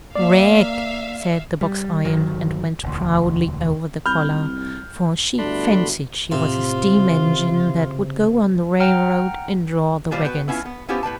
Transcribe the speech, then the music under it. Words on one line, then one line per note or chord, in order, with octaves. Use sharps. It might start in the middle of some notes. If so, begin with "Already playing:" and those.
"Rag!" said the box-iron; and went proudly over the collar: for she fancied she was a steam-engine, that would go on the railroad and draw the waggons.
A#3 D5 E5 F5
G3
G1 D#3 F#3
E1 D2
C2 B5 F6 G6
G1 A3 D4 E4 F#4 B5 C6
A2 C3 F4
C#3
F#5 G5 A#5 F6
A#2 E3 G3 F4 C5
B3 F#4 B4 G5
B3 C#4 E4 F4
B3
B3 C#4 E4 F4 G4 C5
A2 B4 G5 A5